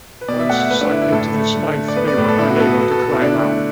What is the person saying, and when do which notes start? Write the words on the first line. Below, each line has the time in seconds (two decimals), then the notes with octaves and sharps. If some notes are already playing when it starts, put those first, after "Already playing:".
Once sucked into this life they were unable to climb out.
0.21 B4
0.28 B2 D5
0.40 E5
0.49 A3 F#5
0.60 E5
0.70 A3 B4
0.81 D4
0.91 D3 E4
1.02 E4
1.12 A2 A4
1.34 A3
1.55 D3
1.75 A3
1.88 D5
1.96 B3 B4
2.08 D5
2.17 A2 B4
2.28 A4
2.39 B2 E4
2.50 F#4
2.56 B4
2.60 B3 A4
2.70 E4
2.81 B3 F#4
2.91 A4
3.02 B2 A4
3.13 E4
3.22 D3 D4
3.32 E4
3.44 A3